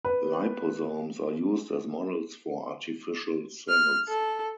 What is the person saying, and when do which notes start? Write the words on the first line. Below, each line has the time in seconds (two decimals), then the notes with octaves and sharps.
Liposomes are used as models for artificial cells.
0.05 B4
3.69 F6
4.08 A4